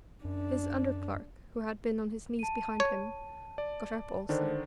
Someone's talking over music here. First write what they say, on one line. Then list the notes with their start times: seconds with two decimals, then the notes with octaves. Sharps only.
His under-clerk, who had been on his knees behind him, got up also.
0.25 F#2 D4
2.39 A5 D#7
2.80 C#5
3.58 D5
4.29 D3 D#3 D4 C5